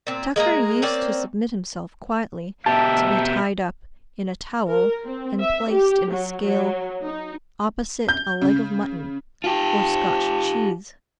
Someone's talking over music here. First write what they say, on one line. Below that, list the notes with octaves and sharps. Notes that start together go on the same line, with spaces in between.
Tucker used to submit himself, quietly, to be tied up in a towel, and placed in a scale opposite a leg of mutton, or Scotch cheese.
A#2 C4
G#3 A#3 G#4 A#5
A#3 C4 C#4 D5
B2 G4 A#4 E5 A5
A#4
C4
E5
G4
F#3
F#3
D#4
G6
C#3
F4 G4 A5